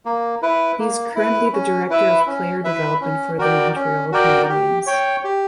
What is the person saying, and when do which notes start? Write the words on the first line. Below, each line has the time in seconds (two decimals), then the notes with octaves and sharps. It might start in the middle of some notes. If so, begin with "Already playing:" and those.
He is currently the director of player development for the Montreal Canadiens.
0.05 A#3
0.42 E4 B4
0.79 A#3
1.15 E4 B4
1.53 C#4
1.90 E4 B4 E5
2.27 C#4
2.64 E4 B4 E5
3.01 C#4
3.39 F#4 A#4 D5 G5
3.75 C#4
4.12 F#4 A#4 D5 G5
4.49 G4
4.87 C#5 G5
5.24 G4